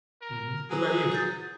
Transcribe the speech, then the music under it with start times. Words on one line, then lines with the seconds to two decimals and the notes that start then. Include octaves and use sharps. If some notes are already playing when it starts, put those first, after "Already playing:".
Mhm. What about you?
0.22 A#4
0.70 F#3 G#4
1.12 D#6 G6 A6